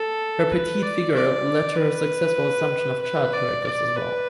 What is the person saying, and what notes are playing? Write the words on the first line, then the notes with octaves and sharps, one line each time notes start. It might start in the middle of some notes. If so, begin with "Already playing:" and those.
Her petite figure led to her successful assumption of child characters as well.
Already playing: A4
B4
D5
D5
B4
B4
D5
D5
B4